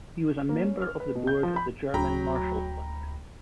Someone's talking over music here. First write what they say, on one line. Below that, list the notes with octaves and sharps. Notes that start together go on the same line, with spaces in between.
He was a member of the Board of the German Marshall Fund.
A#3
C#4
F6
B4
B2
G6
F3
B5
D1 F#3 G5 A#5 B5